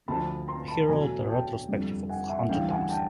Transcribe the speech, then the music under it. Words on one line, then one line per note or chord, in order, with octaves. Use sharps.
He wrote a retrospective of Hunter Thompson.
D2 D3 F3 A5 B5
A#5 C6
A5 B5
E2 B2 F#3 A3 G#5 A#5
G5 A5
F2 D3 G3
F#5 G#5
E5 F#5
D2 C#3 E3 G3 F5 G5
F#5 G#5
G5 A5